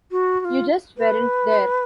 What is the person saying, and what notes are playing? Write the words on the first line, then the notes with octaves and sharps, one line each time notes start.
You just weren't there.
F#4
F#4
F4
B4